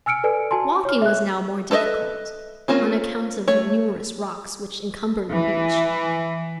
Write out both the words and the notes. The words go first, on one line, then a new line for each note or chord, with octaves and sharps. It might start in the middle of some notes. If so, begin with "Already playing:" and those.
Walking was now more difficult, on account of the numerous rocks which encumbered the beach.
G#5 E6 F6 C#7 D7
A4 B4 D5 G#5
F#4 G#5 A5 C6
C#5 F6
E5 F#6
A4 B4 C#5 D#5 E5
A#3 C4 C#4 F4
A3 C#5
E3